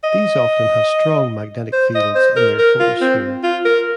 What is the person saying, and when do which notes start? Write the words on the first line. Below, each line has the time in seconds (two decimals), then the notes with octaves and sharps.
These often have strong magnetic fields in their photosphere.
0.04 D#5
1.73 C5
1.95 D#5
2.15 C5
2.36 A#4
2.59 A#4
2.80 F4
3.01 C4
3.43 F4
3.65 A#4